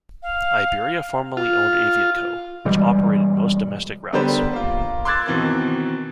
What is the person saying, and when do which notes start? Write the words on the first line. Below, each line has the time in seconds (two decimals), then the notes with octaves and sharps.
Iberia formerly owned Aviaco, which operated most domestic routes.
0.23 F5
1.37 F4
2.65 B2 E3 G3 G#3
4.13 D3 G3 B3 G4 A#4 C5
4.53 A#3 F4
5.05 C6 D6 E6 F#6 G#6 A6
5.26 B2 D#3 E3 C4 A#4 A6